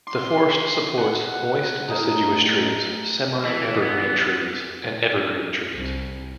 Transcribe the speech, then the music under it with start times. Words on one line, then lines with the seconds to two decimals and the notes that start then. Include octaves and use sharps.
The forest supports moist deciduous trees, semi-evergreen trees, and evergreen trees.
0.07 C6 D6
0.98 F#5
1.89 A2 D#4 G#4 A#4
2.11 A5
3.45 E3
3.82 B3
5.73 C2